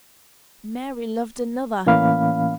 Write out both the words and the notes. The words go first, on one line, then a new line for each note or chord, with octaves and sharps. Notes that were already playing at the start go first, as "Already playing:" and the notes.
Mary loved another!
A2 E3 A#3 C#4 F5 B5